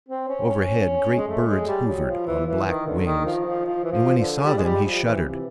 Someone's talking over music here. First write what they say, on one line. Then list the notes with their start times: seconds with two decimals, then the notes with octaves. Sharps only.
Overhead great birds hovered on black wings, and when he saw them he shuddered.
0.08 C4
0.28 C#4
0.48 C#4
1.16 G#3
1.27 A3
1.47 G#3
1.67 G3
1.87 F#3
2.06 F3
2.26 E3
2.46 E3
2.66 D#3
2.86 D3
3.06 D#3
3.25 F3
3.45 F3
3.65 F3
3.83 E3
3.92 F3
4.18 D3
4.44 G3
4.57 G#3
4.64 G3
4.84 F3
5.04 E3
5.23 C3